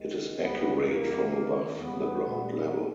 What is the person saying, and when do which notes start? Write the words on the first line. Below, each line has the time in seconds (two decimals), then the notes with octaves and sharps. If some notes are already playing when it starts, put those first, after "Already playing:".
It is accurate from above the ground level.
Already playing: D#2 D#3 G#3
0.38 C#2 C#3 G3 B3
0.85 E2 B2 G3 A#3
1.32 D#2 D#3 G#3
1.79 E2 C#3 G3 B3
2.27 A#2 G3